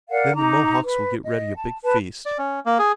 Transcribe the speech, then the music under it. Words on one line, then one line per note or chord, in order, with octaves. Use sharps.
Then the Mohawks will get ready a big feast.
A#4 D5 F5 F#5
D#4 A#5 D6
B4
D#5
A5
B4 A5
D5
C#4
A#3
G#4